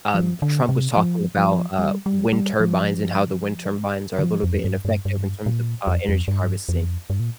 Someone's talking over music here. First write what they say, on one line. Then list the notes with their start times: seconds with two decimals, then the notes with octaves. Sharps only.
um, Trump was talking about, uh, wind turbines and how the wind turbines are a little bit ineffective in terms of, uh, energy harvesting,
0.14 F3
0.42 D3
0.69 C3
0.97 F3
1.37 F3
1.79 G3
2.06 G3
2.33 G3
2.60 F3
4.18 D3
4.23 F3
4.43 F2
4.64 G2
4.85 G2
5.05 G2
5.46 A#2
5.87 F2
6.09 F2
6.28 G2
6.69 F2
7.10 G2
7.20 A#2